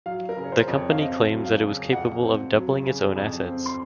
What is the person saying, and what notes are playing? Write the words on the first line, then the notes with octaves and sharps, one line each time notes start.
The company claims that it was capable of doubling its own assets.
F#3 F5
A#4
C#3
C#5
C5
F2
C#5
F5
C4 D#5
F#3
F5
C#3
F2 F#5
C4
F#3
C#3
F2
C4
C6